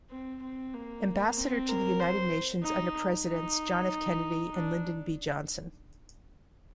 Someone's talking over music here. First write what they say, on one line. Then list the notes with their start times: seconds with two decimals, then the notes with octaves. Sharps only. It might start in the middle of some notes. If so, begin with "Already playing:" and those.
Ambassador to the United Nations under Presidents John F. Kennedy and Lyndon B. Johnson.
0.11 C4
0.42 C4
0.74 A#3
1.37 C4
1.69 A#4
2.00 C5
2.63 D#4
3.27 D#4
4.53 D4